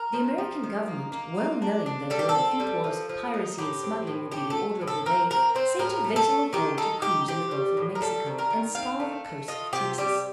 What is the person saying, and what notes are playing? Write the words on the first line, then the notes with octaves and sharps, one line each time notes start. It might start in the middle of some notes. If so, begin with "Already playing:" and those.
The American government well knowing that where Lafitte was, piracy and smuggling would be the order of the day, sent a vessel of war to cruise in the Gulf of Mexico, and scour the coasts of Texas.
Already playing: A#4
F3
F3
D#3
A#3
A#3
F4
D4
D4
G3 A4
G4
A4
C4
G3
F3
F3
D#4
A2 G4
C4
A2
A3 G4
A4
A3
A2
A4
C4 A#4
C4 A#4
C4 C5
A2 A#4
A3
A4
A3
D#3 G4
D#4 A4
D#4 G4
C4 G4
G3
A2
A#4
G3 A4
D#3
A#4
D#3
C4 F5
A3
A3
F4 D#5
C3 G4
G3 G4